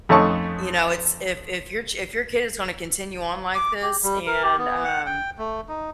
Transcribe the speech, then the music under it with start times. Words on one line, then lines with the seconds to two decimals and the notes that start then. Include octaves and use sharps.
you know, it's if if your ch if your kid is gonna continue on like this and, um
0.09 F2 A3 C#4 D#4 A5 C#6
3.55 D6
3.82 G4
4.03 G3
4.27 A#4
4.43 G4
4.58 B3
4.84 F#5
5.06 G5
5.38 A3
5.69 D#4